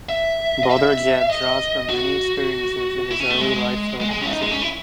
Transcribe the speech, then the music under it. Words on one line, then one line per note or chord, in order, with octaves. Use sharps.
Brother Jed draws from many experiences in his early life while preaching.
E5
D#5
E5
D#5
F#4
E4
C#4
A3
G#3
G#3
G#3
C#4 E4
D#4
G#3
C#4
E4